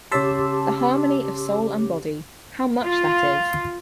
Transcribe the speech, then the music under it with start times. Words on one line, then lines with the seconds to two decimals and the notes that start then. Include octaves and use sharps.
The harmony of soul and body — how much that is!
0.12 C#3 G4 C#5 A5 C6 D6 E6 B6
2.85 F4